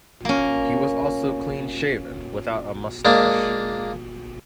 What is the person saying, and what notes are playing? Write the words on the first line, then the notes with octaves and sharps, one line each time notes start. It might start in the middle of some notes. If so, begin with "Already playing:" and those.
He was also clean shaven, without a moustache.
A#3 C#4
G#3 A#3 D4